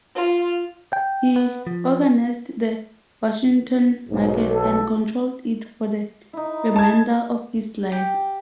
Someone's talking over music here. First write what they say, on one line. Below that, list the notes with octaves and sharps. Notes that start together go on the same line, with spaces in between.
He organized the Washington Market and controlled it for the remainder of his life.
F4
G5
B3
F3
B1 G#2
A4
D#4 E4
A5 G#6
G4